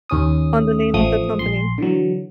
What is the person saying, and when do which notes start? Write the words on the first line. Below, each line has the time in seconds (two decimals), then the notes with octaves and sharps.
on the name of the company.
0.10 D#2 C#4 D#6
0.94 A1 F3 A3 D#6
1.39 A#1 C6
1.78 D3 E3 F#3